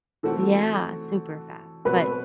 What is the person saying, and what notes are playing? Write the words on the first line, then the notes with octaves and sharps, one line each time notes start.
Yeah, super fast. But,
E3 A3 C4 F#4 A4
B2 F#3 C4 F#4 B4